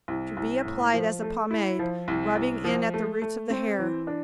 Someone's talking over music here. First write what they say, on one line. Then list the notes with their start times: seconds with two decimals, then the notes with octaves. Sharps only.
To be applied as a pomade, rubbing in at the roots of the hair.
0.08 C2
0.37 C2
0.65 A2
0.94 F3
1.22 A3
1.51 E4
1.79 F3
2.08 C2
2.36 C2
2.65 F3
2.94 A3
3.22 A3
3.50 C4
3.79 E3
4.07 D4